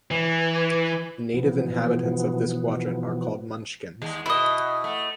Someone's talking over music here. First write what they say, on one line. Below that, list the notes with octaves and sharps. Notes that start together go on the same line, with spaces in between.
The native inhabitants of this quadrant are called Munchkins.
E3
B2 E3 F3 B3
D#2 G#3
B2 E4 D#5
A3